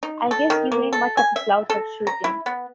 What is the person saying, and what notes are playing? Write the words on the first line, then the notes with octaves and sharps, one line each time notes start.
I guess you ain't much of a slouch at shooting.
D#4
A4
D#3
A#3
A4
G#5
E5
A4
A#5
E4
B3